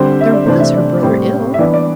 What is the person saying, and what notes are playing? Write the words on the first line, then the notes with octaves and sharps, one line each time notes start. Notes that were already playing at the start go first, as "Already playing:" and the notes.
There was her brother ill!
Already playing: D3 G3 C4 C5
E5
D5
C3 E3 A3 D4 C5
E5
D5
A2 G3 C4
E5
E3 B3 D4 D5
D5